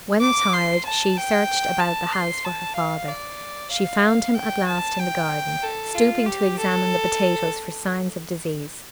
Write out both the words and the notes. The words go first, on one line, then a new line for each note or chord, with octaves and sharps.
When attired she searched about the house for her father; she found him at last in the garden, stooping to examine the potatoes for signs of disease.
D6
C6
A5
G5
A5
C6
A5
F5
D5
F5
G5
A5
G5
A4
F4
G4
A4